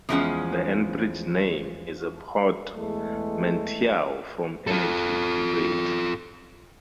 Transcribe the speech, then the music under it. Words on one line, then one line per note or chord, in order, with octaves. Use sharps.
The Enbridge name is a portmanteau from "energy" and "bridge".
E2 A2 F3 G#3 C#4 F#5
E2 G#3 A3
F4 A4